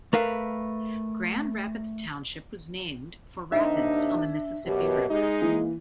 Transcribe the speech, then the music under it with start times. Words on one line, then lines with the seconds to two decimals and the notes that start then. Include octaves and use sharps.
Grand Rapids Township was named for rapids on the Mississippi River.
0.13 A3 A#4 B4 F5
3.52 D#2 C3 D4 D#4 E5
4.66 F#2 B2 G4
5.11 G#3 D#4
5.42 E3 A#3